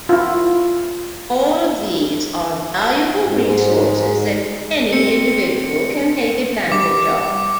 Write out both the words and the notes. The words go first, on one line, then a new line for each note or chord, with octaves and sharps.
All of these are valuable resources that any individual can take advantage of.
E4 F4
G#2
C4 C#7
G3 D6